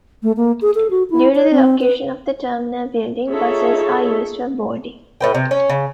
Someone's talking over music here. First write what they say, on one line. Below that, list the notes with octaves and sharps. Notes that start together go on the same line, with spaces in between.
Due to the location of the terminal building buses are used for boarding.
A3
A#3
G#4
A4
F#4
E4
C#5
C4
B4
D#4 F4 G#4 A4 C#5 E5
A2 B4 G5
C3
C#4
C#3